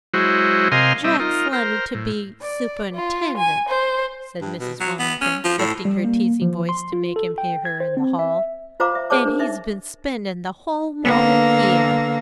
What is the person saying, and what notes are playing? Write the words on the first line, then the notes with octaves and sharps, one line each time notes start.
"Jack's learning to be superintendent," said Mrs. Wilmington, lifting her teasing voice to make him hear her in the hall, "and he's been spending the whole morning here."
F#3 G#3 E4 F#4 C5
C3 A#4 D#5 F5 G#5 C6
G3 C4 D#5 E5
D#4 F4 A#4
A#4 C5
A2
D5
F4
G#5
C5
G2
B2
F#3
B3
C#4
F3
A2
G3
A#3
F3
C6
F4
A4
G5
G#6
C5
C4
E5
F4 C5 F5 A#5 D6
E5
G#4 C5 C#5 A5 D6
D4 A#4
D#4 E5
D3 A#3 B3